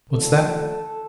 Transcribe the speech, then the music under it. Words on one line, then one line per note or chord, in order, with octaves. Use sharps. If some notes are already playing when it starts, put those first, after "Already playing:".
What's that?
D#2 D3 F3 A3 A4